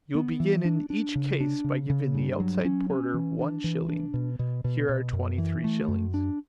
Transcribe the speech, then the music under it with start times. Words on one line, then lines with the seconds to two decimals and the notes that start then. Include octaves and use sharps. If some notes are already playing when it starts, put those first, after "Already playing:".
"You will begin in each case by giving the outside porter one shilling. Here are twenty-three shillings."
0.15 B3
0.40 E3
0.65 D4
0.90 D4
1.15 C#3
1.40 D4
1.64 C#3
1.90 C#3
2.14 G2
2.40 F#3
2.65 C#4
2.90 C#4
3.14 E3
3.40 D4
3.64 E3
3.88 D4
4.14 B2
4.39 B2
4.64 B2
4.89 B2
5.13 F#2
5.38 E3
5.64 A3
5.88 F#2
6.14 D4